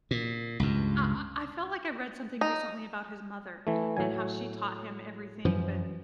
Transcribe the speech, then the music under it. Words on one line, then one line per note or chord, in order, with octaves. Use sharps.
I I I felt like I read something recently about his mother, and how she taught him everything, but
A#2
C#2 G2
D#4
E3 A3
A2 F#3 G#5
F#2 E3 F3